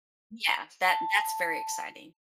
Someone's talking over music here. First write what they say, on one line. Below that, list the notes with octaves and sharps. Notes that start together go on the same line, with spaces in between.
Yeah, that that's very exciting.
A5